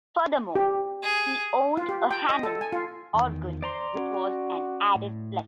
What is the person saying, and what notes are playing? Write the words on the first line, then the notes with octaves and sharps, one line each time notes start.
Furthermore, he owned a Hammond organ, which was an added plus.
G4
G#4
F4
G4
G5
D#5
A4
G#5
F4
E2 D#3
C5 D5 A#5 C6
C#4 F#4
A2